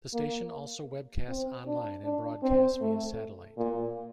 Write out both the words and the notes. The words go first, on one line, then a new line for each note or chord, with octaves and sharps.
The station also webcasts online and broadcasts via satellite.
A#3
C4
D4
D4
C4
A3
A#2